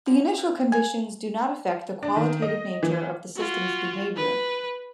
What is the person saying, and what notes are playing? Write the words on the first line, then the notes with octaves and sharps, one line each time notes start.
The initial conditions do not affect the qualitative nature of the system's behavior.
D3
B2
G#5
D4
D#3
D#5
E3
F4 F#4
B4